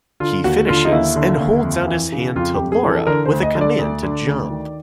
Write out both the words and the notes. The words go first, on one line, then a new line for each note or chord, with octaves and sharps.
He finishes and holds out his hand to Laura with a command to jump.
D3 F4
D#2 F#4
D3 F4
D#4
D#2 E4
D3
D#2
F2
E3
C#3
F2 F4
G4
F2
G#4
E3
A4
D3 A#4
C5
D2
D#5
D3
D5
D2
D3
D2
D#3